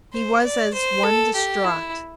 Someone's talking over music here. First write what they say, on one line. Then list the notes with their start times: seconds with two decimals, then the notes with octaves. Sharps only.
He was as one distraught.
0.13 C5
0.44 D5
0.74 C5
1.04 A4
1.35 G4
1.65 E4